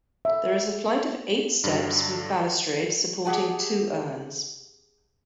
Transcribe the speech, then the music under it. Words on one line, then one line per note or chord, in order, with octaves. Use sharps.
There is a flight of eight steps with balustrade supporting two urns.
E5
G2 D3 F#3
G4 G#4 F#5 G#5 A5